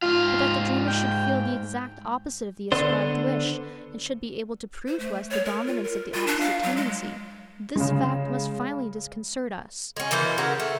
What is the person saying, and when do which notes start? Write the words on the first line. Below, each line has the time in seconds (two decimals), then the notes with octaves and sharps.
But that the dreamers should feel the exact opposite of the ascribed wish, and should be able to prove to us the dominance of the opposite tendency--this fact must finally disconcert us.
0.02 G#2 F4 F5
0.88 G5
2.72 D3 B3 D4 C5
4.88 C5
4.99 A3
5.31 C#5
5.45 A#4
5.67 F4
5.84 A#4
6.14 F4
6.27 D4
6.40 F5
6.63 F#3
6.76 G#3
7.76 C#3 G#3
9.97 G#3 C#4
10.11 B2 E3 A#3 C5
10.38 C#3 F#3 A#4
10.60 A3